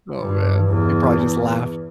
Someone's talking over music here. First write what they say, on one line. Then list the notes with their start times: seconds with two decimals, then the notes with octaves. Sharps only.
Oh, man. He'd probably just laugh.
0.18 G2
0.69 E2